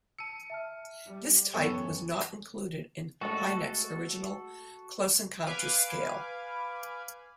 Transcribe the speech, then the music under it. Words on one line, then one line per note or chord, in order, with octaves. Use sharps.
This type was not included in Hynek's original close encounters scale.
A5 E6 C#7 D#7
E5 A5 F6
G3
F#2 E3 B3 A4 C#5 G5 G#5 C#6
G#3 A3 F#4 A4
B4 F5 G#5 D6